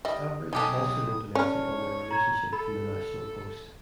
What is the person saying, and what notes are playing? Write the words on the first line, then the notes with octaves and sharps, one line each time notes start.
Avrich also wrote an essay on their relationship in The National Post.
G3 D#5 E5
B1 G#3 D#4 G4 A4 G#5 D#6
C#4 C#5 D5 A5 F6
A#5 G#6
A4 B5